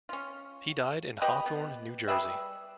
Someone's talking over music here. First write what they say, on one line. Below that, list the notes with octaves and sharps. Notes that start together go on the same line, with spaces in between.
He died in Hawthorne, New Jersey.
C#4 F4
G4 B4 D#5 B5
B3
G3 G#4 B4 E5